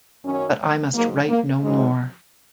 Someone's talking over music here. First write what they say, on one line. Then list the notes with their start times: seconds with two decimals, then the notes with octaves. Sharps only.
But I must write no more.
0.25 F#2 D#3 F#3 C#4
0.94 G#2 F#3 A#3
1.28 A#3
1.63 G#2 D#3 F#3 G#3